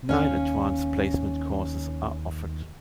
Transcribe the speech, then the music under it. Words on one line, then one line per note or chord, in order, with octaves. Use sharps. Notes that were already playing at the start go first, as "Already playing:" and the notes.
Nine advanced placement courses are offered.
D#2 C#4 F5